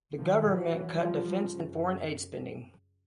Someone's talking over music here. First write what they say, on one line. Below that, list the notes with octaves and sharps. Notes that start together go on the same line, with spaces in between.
The government cut defence and foreign aid spending.
D#3 F3
E3 F#3
F3 G3
F#2 C#3